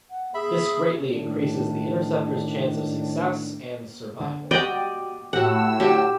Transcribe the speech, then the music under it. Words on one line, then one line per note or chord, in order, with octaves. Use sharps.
This greatly increases the interceptor's chance of success and survival.
F#5
G#4 E5 B5
A2 D#3 D4
D3
G3 F#4 G4 D5 D#5 G5
A2 F#4 G4 F#5 E6
D3 F#3 F#4 G4